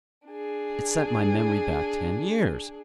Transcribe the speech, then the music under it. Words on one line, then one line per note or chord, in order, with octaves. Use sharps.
It sent my memory back ten years.
D4 G#4